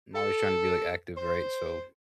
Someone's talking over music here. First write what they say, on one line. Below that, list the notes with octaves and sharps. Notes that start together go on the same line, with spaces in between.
I'm always trying to be, like, active, right? So
A4
C5